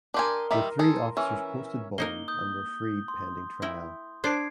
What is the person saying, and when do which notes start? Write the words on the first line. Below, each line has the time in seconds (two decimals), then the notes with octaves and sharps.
The three officers posted bond and were freed pending trial.
0.14 D4 G4 A#4 G#5 C6 D#6
0.51 D#3 G3 E5
0.79 G#4 A4
1.17 E3 C#4 E5
1.98 A#3 D#4 A#4 G7
2.28 D#6 G6
3.08 C6
3.62 E4 A#4 G5
4.24 D4 C5 D5 G#6 C7 D7